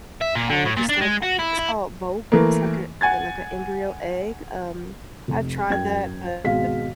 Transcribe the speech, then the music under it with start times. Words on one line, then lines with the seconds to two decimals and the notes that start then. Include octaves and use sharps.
um, just like, I think it's called boke, it's like a, like a embryo egg, um, I've tried that, but
0.22 E5
0.36 A#2
0.49 D3
0.65 A2
0.77 A#2
0.90 D4
1.02 G#3
1.23 F#4
1.39 E4
1.59 E4
2.32 E3 A3 A#3
3.01 F#5 G#5 G#6 A6
5.28 F1
5.70 F#2 G5 G#6
6.44 G#1 B2 G#3 F#4 F5 B6